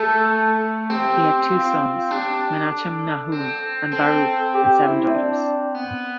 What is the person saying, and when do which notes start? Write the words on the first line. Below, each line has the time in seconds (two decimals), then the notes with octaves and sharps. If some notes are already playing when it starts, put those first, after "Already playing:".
He had two sons, Menachem Nahum and Baruch, and seven daughters.
Already playing: A3 A4
0.90 C4 G4
1.51 F4
1.80 F4
2.11 D4 G4
2.71 A4
3.32 C4
3.93 C4 A4
4.54 G4
4.84 E4
5.15 D4
5.75 B3